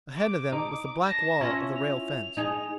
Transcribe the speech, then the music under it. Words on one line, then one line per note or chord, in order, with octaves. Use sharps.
Ahead of them was the black wall of the rail fence.
D6
D#4
A5 A#6
C#4 E4 F4
F7
D#4 G#4